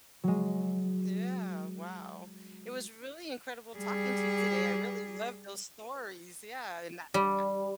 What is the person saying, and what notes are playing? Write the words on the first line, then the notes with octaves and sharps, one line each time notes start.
Yeah, wow. It was really incredible talking to you today, I really love those stories, yeah, and that tha
F#3 G#3
G3 G#4
G3